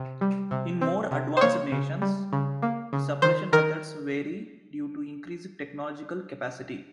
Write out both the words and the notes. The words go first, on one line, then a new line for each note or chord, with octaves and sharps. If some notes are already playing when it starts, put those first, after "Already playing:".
In more advanced nations, the suppression methods vary due to increased technological capacity.
Already playing: C3
G3
C3
C4
C3
C5
A#3 C#5
C#3
G3
C#3
A#3
C#3
D#3 C5
D#3 A#4